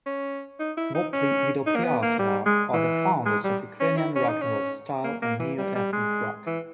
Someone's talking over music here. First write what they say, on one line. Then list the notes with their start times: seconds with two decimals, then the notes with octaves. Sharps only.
Vopli Vidopliasova are the founders of Ukrainian rock-n-roll style and neo-ethnic rock.
0.06 C#4
0.60 D#4
0.77 E4
0.95 D#4
1.13 C#4
1.67 D#4
1.76 A#3
1.84 B3
2.03 A#3
2.19 G3
2.46 G#3
2.73 E3
3.26 G#3
3.44 G3
3.80 C#4
3.97 E4
4.16 C#4
4.28 D#4
4.41 C#4
5.04 A#3
5.22 A#3
5.40 E3
5.58 G3
5.75 G3
5.93 G#3
6.47 E3